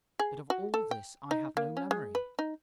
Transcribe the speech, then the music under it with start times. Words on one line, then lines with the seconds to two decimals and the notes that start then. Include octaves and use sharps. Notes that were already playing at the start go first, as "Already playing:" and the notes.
But of all this I have no memory.
0.19 G#4
0.50 F#4
0.74 A4
0.91 G5
1.31 D#4
1.57 A#3
1.77 C#4
1.91 G#3
2.15 B4
2.39 D#4